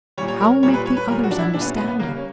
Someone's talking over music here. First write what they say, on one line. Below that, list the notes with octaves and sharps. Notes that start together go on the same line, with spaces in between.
How make the others understand it?
A#2 G3 C#5
C#5
A#4
A#2 G3 C#5
B4
C#5
B4
A#2 G3 A#4
F#4
D4
E4
A#2 G3 D4
B3
C#4
B3
B3
C#3 G3 A#3
C#4